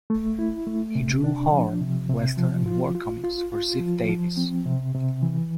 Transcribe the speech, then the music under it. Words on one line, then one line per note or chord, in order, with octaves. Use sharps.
He drew horror, Western and war comics for Ziff-Davis.
A3
E4
A3
C3
D4
F3
C3
C3
F3
F4
F4
F4
F4
F3
F3
C4
C3
C3
E3